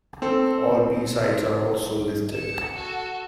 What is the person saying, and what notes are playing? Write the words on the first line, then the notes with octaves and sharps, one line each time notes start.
All B-sides are also listed.
C4 A4
C#7 E7
F#4 A4